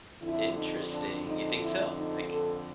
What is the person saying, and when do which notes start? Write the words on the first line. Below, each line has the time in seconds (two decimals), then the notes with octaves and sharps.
Interesting, you think so? Like,
0.21 F2 D3 E4
0.57 D#4
0.91 D4
1.27 D#4
1.61 E4
1.96 D#4
2.30 A4